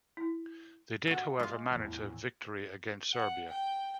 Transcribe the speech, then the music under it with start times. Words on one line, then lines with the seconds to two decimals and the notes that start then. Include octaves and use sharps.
They did however manage a victory against Serbia.
0.17 E4
1.07 F#4 A4
1.39 G#3 F4 F5
1.72 E2 A2
3.12 F#5
3.48 G5